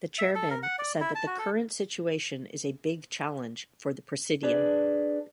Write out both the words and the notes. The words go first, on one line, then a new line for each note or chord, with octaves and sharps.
The chairman said that current situation is a big challenge for the presidium.
E5
A4
A#4
F#5
D5
E4
A5
F#4
A4
D4 G#4 B4 D5